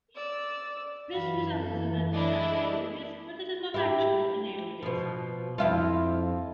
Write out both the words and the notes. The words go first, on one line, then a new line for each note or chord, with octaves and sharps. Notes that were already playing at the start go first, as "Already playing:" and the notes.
This resembles an atmospheric Airy disc but is not actually an Airy disk.
D5 E6
F#2 E3 F5 B5
A4
D4 E4 D#5
E4 G4
B2 F3
F2 E4 F4